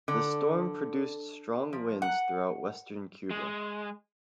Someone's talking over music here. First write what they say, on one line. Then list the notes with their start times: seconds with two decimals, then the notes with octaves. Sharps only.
The storm produced strong winds throughout western Cuba.
0.08 D3
1.73 F3
2.02 F#5
3.30 G#3